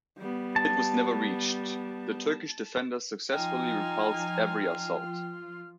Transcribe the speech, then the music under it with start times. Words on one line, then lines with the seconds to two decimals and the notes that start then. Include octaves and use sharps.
It was never reached; the Turkish defenders successfully repulsed every assault.
0.18 G3 B3
0.56 A5
3.32 F3 D#4 F4 G5 G#5 F6